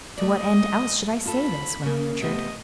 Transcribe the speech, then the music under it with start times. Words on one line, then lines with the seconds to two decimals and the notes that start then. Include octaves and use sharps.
"To what end, else, should I say this?" went on Richard.
0.17 A3 D5 D#5
1.25 F4 A4 B5
1.83 C#3 A#3
2.22 C3 A3 B3 D#5